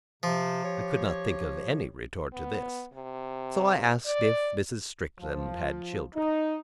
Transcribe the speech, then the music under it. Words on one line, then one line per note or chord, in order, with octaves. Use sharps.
I could not think of any retort to this, so I asked if Mrs. Strickland had children.
C3 F3
G4 C#5
B3
C3
D5
F3
D#4